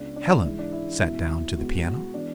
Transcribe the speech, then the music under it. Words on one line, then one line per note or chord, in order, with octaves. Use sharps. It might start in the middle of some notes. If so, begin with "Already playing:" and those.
Helen sat down to the piano.
Already playing: C#2 C#3 G#3 B3 D4
D4
G#2 E3 G#3 E4
D4
E4
C#2 B2 F#3 B3 E4
B2 G#3 B3 F#4
F#4
E3 G#3 B3 D4